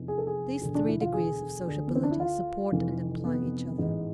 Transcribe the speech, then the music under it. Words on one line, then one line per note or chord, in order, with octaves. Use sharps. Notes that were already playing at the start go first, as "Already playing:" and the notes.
These three degrees of sociability support and imply each other.
Already playing: F1 E2 C3 E3
G#4
A4
G#4
E1 D2 D3
D4
E4
F4
G#4
D2 D3
B3
C4
D4
E4
F4
F1 F2 E3
B3
A1 G#2 E3